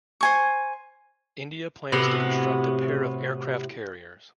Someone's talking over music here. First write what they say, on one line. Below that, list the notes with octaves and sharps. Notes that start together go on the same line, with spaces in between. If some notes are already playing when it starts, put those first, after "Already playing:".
India plans to construct a pair of aircraft carriers.
C5 G#5 C#6
A2 C3 B3 F#4